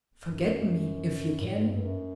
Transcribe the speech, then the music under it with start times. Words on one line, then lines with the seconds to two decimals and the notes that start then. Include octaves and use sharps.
Forget me if you can!
0.22 F#2
1.41 A2
1.55 G#2
1.69 G2
1.83 F#2